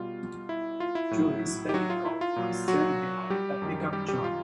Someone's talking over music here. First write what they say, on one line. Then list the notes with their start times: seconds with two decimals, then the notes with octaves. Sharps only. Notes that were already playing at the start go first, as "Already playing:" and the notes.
Two hispanic cowboys stand behind a pickup truck.
Already playing: B2 G3 F4
0.49 E4
0.80 F4
0.95 E4
1.11 A2 F#3
1.69 G4
1.74 F#3 F#4
1.90 F4
2.05 E4
2.21 F4
2.36 A#2 F#3
2.68 F#3 F#4
3.30 G3 G4
3.62 F#2 D#3 G3
3.93 G3 G4
4.08 G3 G4
4.24 F4